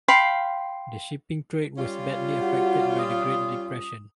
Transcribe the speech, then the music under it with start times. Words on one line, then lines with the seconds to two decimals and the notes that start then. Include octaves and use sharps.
The shipping trade was badly affected by the Great Depression.
0.08 F5 G5 B5 C6
1.78 G3 C#4 F4
2.41 F#4 G4 F#5
2.99 D#6